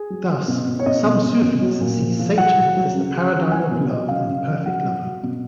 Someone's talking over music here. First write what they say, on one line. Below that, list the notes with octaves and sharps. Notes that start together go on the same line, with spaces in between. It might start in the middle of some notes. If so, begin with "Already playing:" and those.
Thus, some Sufis see Satan as the paradigm of love and the perfect lover.
Already playing: G#4
F#3
F#3
B2
B2
C#5
B2 D#5
B2
B2
B2
F#3
A#2
F3
F3
F#3 F#5
F#3
F#3
C#3
C#3
F3
F#3 G#5
B2
F#3 D#5
C#3 F5
C#3
F3
F#3 F#5
F#3
F#3
B2